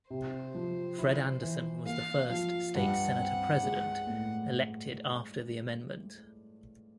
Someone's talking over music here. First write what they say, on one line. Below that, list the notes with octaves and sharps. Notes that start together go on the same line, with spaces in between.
Fred Anderson was the first state senate president elected after the amendment.
C3 C5
F3
E4
E3
A#3 F5
F3 F5
G2 F#5
C4
G#3
A2